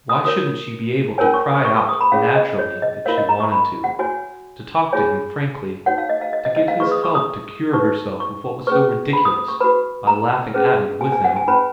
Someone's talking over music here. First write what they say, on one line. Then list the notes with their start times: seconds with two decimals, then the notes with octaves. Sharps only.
Why shouldn't she be able to cry out naturally if she wanted to, to talk to him frankly, to get his help to cure herself of what was so ridiculous by laughing at it with him?
0.09 D#6
0.25 F#4 A#4 C#5 D#6
1.18 C#4 F4 A#4 C#5 G#5
1.34 C#6
1.50 D#6
1.65 C#6
1.77 C#6
1.89 D#6
2.01 B5
2.12 C#4 F4 G#4 C#5 F5
2.35 D#5
2.59 C#5
2.82 D#5
3.05 F4 A#4 C#5 F5
3.18 D#5
3.29 A#5
3.40 C#6
3.52 B5
3.84 F#5
3.99 F#4 C#5 G#5
4.93 F4 G#4 C#5 G#5
5.86 D#4 F#4 C#5 F#5
5.98 F5
6.09 D#5
6.21 F5
6.33 D#5
6.45 D#5
6.56 D#5
6.68 F5
6.80 F4 G#4 B4 C#6
6.92 D#6
7.04 C#6
7.15 D#6
7.73 D#4 F#4 B4 C#6
8.20 C#6
8.67 C#4 G#4 B4 C#6
9.13 B5
9.25 D#6
9.37 D#6
9.48 C#6
9.60 F#4 B4 B5
10.07 A#5
10.54 C#4 G#4 B4
11.01 G#5
11.12 G#5
11.24 F#5
11.36 G#5
11.48 C#4 F4 B4 B5